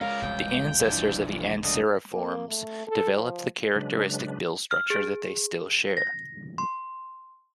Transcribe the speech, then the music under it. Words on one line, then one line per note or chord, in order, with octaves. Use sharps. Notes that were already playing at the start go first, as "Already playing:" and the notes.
The ancestors of the Anseriformes developed the characteristic bill structure that they still share.
G#3 C#4 A#4 F5
E1 C2 F#2 G5
F3 D4 E4
G#3 A3 D4 D#5
A#3
A3
A4
F3
C#3 F#3 G#3 D4 B4
F6
G#4
A#6
C6